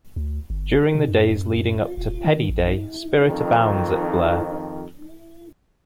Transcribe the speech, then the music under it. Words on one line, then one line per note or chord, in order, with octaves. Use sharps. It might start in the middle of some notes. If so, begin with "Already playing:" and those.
During the days leading up to Peddie Day, spirit abounds at Blair.
D2
G1
C3
F#2
D#1
D#3
A1
F2 D#3